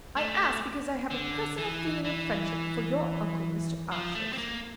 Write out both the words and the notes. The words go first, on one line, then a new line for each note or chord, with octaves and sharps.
'I asked because I have a personal feeling of friendship for your uncle, Mr. Ashurst.'
A3
D3
E3
E3
F3
A3
C4
A#3